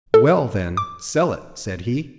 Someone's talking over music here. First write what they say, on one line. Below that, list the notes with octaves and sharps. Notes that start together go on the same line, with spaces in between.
"Well then, sell it," said he.
A4
D6